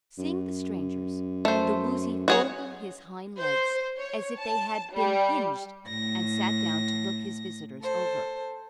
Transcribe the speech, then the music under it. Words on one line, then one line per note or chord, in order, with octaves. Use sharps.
Seeing the strangers, the Woozy folded his hind legs as if they had been hinged and sat down to look his visitors over.
F#2
A3 C5
F#3 F#4 G#4 C#5
C5
C#5
A5
G3
A2 A#6
A4 C5